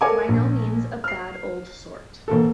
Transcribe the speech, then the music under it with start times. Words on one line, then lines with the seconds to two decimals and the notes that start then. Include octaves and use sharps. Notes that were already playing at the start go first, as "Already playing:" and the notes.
By no means a bad old sort.
0.01 A4 A#4 C#5 G#5 D6
0.28 A#1
1.04 F6 C7
2.28 E1 A#3 A4